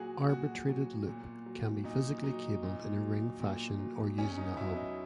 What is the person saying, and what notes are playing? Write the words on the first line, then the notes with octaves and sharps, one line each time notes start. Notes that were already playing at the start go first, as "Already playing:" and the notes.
Arbitrated loop can be physically cabled in a ring fashion or using a hub.
Already playing: A#2 F#3 F#4 G#4
A#2 F#4
F#3
A#2
F#3
A#2 D#4
F#3 D#4
A#2
F#3
A#2
F#3
E2 C#4
D#4
B2 F#3 E4
D#4